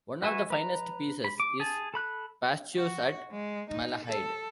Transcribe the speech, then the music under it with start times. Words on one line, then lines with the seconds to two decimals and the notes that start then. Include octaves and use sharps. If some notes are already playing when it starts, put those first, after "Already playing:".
One of his finest pieces is Pastures at Malahide.
0.22 F#4 B4 E5 G#5 C#6
0.50 B4 A#5
1.24 B5
1.40 D6
1.60 G#4 A5
1.94 A4 B5 F#6
2.77 F#4
3.31 G#3
3.71 D#4
4.05 A4